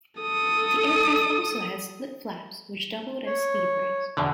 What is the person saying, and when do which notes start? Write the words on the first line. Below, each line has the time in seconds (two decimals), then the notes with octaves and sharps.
The aircraft also had split flaps, which doubled as speed brakes.
0.20 A4 D#6
3.26 C#5
4.17 E2 B2 D3